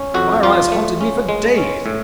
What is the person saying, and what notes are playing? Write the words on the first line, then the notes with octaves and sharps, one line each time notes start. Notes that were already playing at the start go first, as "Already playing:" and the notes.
Why her eyes haunted me for days.
Already playing: C#4
F2 F#4
F3 F4
A3
C#4
G#3
C#4
A2